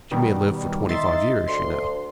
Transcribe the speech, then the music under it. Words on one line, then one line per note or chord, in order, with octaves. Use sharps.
"But you may live for twenty-five years, you know."
B2 D#3 G3
D#4 E5 C6 A6
D2 C6